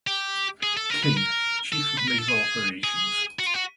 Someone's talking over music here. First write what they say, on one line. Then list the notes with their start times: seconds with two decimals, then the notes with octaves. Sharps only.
King, Chief of Naval Operations.
0.07 G4
0.63 G#4
0.77 A4
0.90 A#4
1.04 B4
1.17 A#4
1.72 A4
1.97 B4
2.07 A#4
2.18 A4
2.28 G#4
2.84 G#4
3.39 F#4
3.46 F4
3.54 F#4